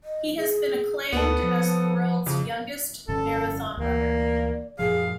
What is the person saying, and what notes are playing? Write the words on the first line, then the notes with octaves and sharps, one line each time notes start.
He has been acclaimed as the world's youngest marathon runner.
D#5
G#4
D2 B3 A4
F3
F2 C#3
F1 G2 D3 C#4 A4
D2 E3 A#3
D5
F#2 A#2 F3 G#4 F5